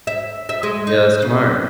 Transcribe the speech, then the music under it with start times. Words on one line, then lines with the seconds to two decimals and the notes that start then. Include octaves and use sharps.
Yeah, that's smart.
0.07 E5
0.49 E5
0.63 G#3
0.87 D#4
1.22 C#3